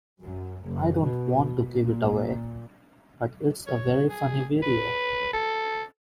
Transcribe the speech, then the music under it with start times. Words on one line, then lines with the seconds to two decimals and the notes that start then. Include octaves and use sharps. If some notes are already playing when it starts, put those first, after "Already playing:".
I don't want to give it away, but it's a very funny video.
0.20 F#2
0.66 F#1
1.02 B2
1.69 A#2
3.67 C#5
4.09 G#4
4.62 B4
5.33 A4